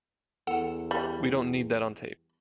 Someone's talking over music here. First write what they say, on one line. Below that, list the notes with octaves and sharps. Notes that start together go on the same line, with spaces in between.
We don't need that on tape!
E2 A4 F#5 E7
G3